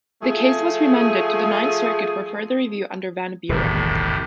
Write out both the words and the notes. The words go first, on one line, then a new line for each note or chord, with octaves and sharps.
The case was remanded to the Ninth Circuit for further review under "Van Buren".
F3 A3 G#4
E1 A#1 F2 A2 C3 D#3